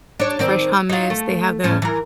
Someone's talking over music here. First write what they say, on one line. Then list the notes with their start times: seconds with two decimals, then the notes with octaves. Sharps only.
Fresh hummus, they have the
0.20 D4 C#5
0.39 D#3 C4 D5
0.89 D#4 F4
1.10 A3
1.64 A2 C#4
1.82 E3 A#4